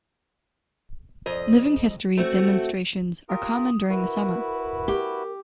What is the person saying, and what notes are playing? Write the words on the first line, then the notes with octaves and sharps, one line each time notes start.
Living history demonstrations are common during the summer.
F2 D#5
A3 C4 F#4
F4 G4 A#4 D#6
E4 F#4 A#4 B4
G4